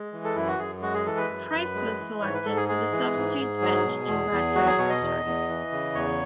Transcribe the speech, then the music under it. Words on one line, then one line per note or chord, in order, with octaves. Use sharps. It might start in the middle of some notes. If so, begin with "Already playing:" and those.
Pryce was selected for the substitutes bench in Bradford's victory.
Already playing: G#3
E3
A4
F#2 E4
F#4
F#2 G#4
G#3 F#4
G#4
E3 A4
B4
F#2
F#2
G#3
E3
G#2 C#5
B4
G#2 A4
G#4
G#3 G#4
E3
G#2
G#2
F#3
B2
E2
E2
F#3 F#4
G#4
B2 C#5
D#5
E2
E2
E3
C#3
E2 C#5